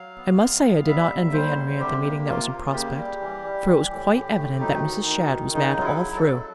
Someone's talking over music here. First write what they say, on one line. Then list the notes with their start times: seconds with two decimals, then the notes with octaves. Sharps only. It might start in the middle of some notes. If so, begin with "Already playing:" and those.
I must say I did not envy Henriette the meeting that was in prospect, for it was quite evident that Mrs. Shadd was mad all through.
Already playing: F#3 F5
0.17 B3
0.40 F2
0.63 B3
0.87 G3 E5
1.10 D#2
1.33 G3 C5
1.57 D3
1.80 C3 G4
2.04 A#3
2.26 C3 F4
2.50 A#3
2.73 C#3 G4
2.96 G3
3.20 E3
3.44 G3
3.67 E3
3.91 A2
4.14 A2
4.37 A3
4.60 D2 D#4
4.84 D#3
5.07 D2
5.30 D#3
5.53 C#3 D#4
5.77 F#3 F4
5.84 E4
6.01 F#3
6.16 A4
6.24 F#3